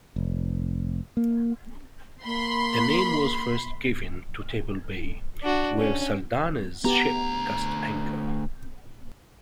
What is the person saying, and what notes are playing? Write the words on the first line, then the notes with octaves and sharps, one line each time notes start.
The name was first given to Table Bay, where Saldanha's ship cast anchor.
F1
A#3
A#3 B5 C6
D4 F#4
C#4
D2 B3 G4 A#5